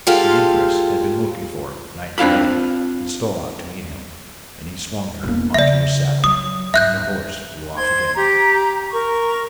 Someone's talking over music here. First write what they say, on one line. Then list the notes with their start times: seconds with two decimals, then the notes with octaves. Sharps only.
The empress had been looking for him night and day, and stole out to meet him, and he swung her on to his saddle, and the horse flew off again.
0.07 G#3 F4 G4 A4 F5
2.18 C4 D4 F4 F5 B5
5.23 E1 A#3
5.54 C#3 D5 E5
6.24 F#3 D#6
6.74 G#2 E5 F#6 G6
7.76 C5 C6 G#6
8.15 G4 A#5
8.92 A#4 C#6